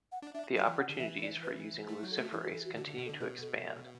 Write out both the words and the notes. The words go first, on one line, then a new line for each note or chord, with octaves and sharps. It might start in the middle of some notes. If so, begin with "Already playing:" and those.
The opportunities for using luciferase continue to expand.
F#5
D4
D4 E5
F#3 E5
E3
F#5
D3
E3 E5
D5
B4
A3 E4
E4
F#3
A4
A3 F#4
E3 E4
F#4
A4
F#4
D3 F#4
D3
B2
A4
D3
B2 B4
A4